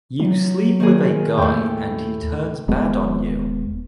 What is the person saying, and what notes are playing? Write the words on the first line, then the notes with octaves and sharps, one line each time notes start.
You sleep with a guy and he turns bad on you.
F#3
D#3 A#3 G#4
D#2 A2 G5
D#1 G#3 B3